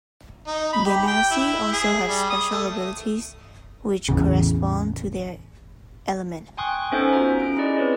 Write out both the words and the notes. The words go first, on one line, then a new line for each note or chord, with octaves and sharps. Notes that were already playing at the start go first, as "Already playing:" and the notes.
Genasi also have special abilities which correspond to their element.
D#4
B5
G4
G5
E4
G#4
G3
D#6
A3
A1 E2 C#3
G5 G#5 C6 C#6 D#6 F#6
B3 C#4 D#4 A4 C5 E5
F4 F#4 E5 A#5
C#4 D7
E4 G#4 D5 D#5
C4 B4 C#5 D5